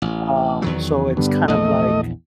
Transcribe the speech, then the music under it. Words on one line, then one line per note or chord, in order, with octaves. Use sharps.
Um, so it's kind of like,
A1
E2 D#3 F#3
G2 D3 B3
A#1 E2 A3 D#5